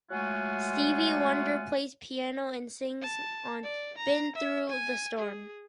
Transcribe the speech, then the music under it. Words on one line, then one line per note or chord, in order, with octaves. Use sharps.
Stevie Wonder plays piano and sings on "Been Through the Storm".
F#3 G#3 A3 F4 F#5 G#5
A5
D5
A#5
E5
G#5
G#4